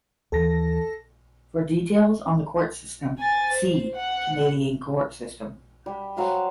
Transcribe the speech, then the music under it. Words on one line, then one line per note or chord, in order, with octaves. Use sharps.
For details on the court system, see Canadian court system.
D#2 E3 A4 A5 A#6
G#5 A6
C5
F#5
G3
F#3 C5 F5 F#5